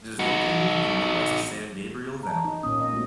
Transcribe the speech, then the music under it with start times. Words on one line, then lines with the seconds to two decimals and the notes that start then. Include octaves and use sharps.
It is located in the West San Gabriel Valley.
0.19 D#4 F#4
2.23 A5 A#5
2.45 D#4
2.63 A#2 A#3 C#4 D#6
2.80 C4 D#5
2.93 A3 B3 F#4